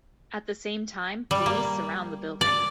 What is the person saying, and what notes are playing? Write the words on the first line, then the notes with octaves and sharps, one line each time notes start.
At the same time, police surround the building.
G3
A#3
D5